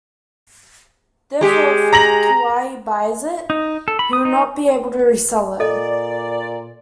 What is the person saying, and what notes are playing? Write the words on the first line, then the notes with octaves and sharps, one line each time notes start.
Therefore, if Keawe buys it, he will not be able to resell it.
G#3 G4
A#5 A#6 F#7
D#4
A4
B5
D#6
D#4
A#2 A4 D5 D#5